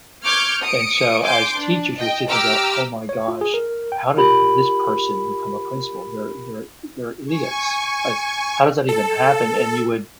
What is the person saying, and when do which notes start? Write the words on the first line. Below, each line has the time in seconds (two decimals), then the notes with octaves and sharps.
And so as teachers you would sit there and go, "Oh my gosh, how did this person become a principal? They're they're they're idiots. Like, how does that even happen?" And you would
0.25 C#6 D6 F6 G6 G#6
0.62 D#6 C#7 D7
1.22 G#5 C6 D6 G6
1.56 D4
1.98 D#5 G5
2.29 G4 A#5 D6 E6 F6
3.09 C#5
3.28 F4
3.41 G#4
3.54 A#4
3.92 G5
4.17 F4 G4 A#4 B5 F#7
7.26 G#5 C#6
8.89 A4